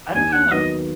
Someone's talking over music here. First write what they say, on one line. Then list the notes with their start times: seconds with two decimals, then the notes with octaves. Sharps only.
I don't know.
0.14 D#2 G#5
0.32 F#5
0.51 D#3 F#3 B3 D#5